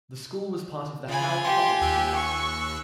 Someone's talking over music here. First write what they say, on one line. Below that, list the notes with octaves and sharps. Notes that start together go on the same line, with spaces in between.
The school was part of the Howell Public School District.
C#3 F4 G#5 B5
G4 C6
D#2 E6 F#6
C#6